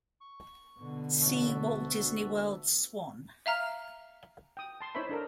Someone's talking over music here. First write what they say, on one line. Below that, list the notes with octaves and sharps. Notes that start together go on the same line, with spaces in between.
See Walt Disney World Swan.
C#6
B2 D3
A1 F#4 A4 E5
D2
E5 F5 A#5 F6
G5 D#6
A5 C6
D#4 E4 C5 C#5 E5 B5
D4 A4 A#4